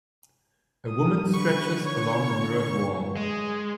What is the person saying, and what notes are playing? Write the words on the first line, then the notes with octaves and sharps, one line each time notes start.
A woman stretches along a mirrored wall.
D#6
D3 B4 C#6
C#5
G#3